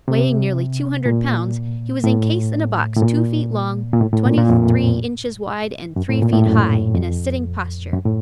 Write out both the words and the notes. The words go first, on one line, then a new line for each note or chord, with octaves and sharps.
Weighing nearly two hundred pounds, he was encased in a box two feet long, twenty-three inches wide, and three feet high, in a sitting posture.
C3
A#2
A2
A2
A#2
A#2
A2
A2
A#2
A#2
F2
F#2
A2
A#2
A2
F#2
F2
F#2
A2